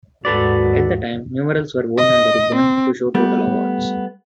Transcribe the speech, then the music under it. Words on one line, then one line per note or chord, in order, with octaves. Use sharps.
At the time, numerals were worn on the ribbon to show total awards.
D#2 G#2 F#4 A4 B4 D5
D#5
C4
G3 A3 B3